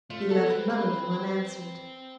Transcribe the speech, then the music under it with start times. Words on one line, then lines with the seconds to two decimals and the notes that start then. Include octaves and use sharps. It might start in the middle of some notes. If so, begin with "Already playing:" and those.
He left none of them unanswered.
0.10 A3 F4
0.29 B3 A4
0.50 C4 B4
0.70 C4 B4